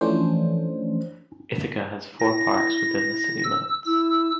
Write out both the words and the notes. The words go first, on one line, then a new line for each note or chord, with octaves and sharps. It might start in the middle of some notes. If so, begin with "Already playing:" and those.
Ithaca has four parks within the city limits.
E3 F3 A3 C#4 D4 C5
E4 A#6
E6
E4 E6